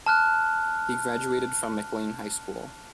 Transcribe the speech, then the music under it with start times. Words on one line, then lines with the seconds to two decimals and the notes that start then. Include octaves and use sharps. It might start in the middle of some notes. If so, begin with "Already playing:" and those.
He graduated from McLane High School.
0.06 A5 F6 F#6